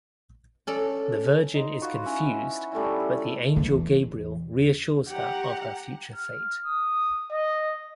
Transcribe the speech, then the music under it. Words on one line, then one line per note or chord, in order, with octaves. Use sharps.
The Virgin is confused but the Angel Gabriel reassures her of her future fate.
C#4 A4 D5
D#4 C5
F4 F#4 B4 C#5
C#4 E4
G3 A3 C#4 E4
A4
E2 E3
G4 F#5 A#5
F6
D#6
D#5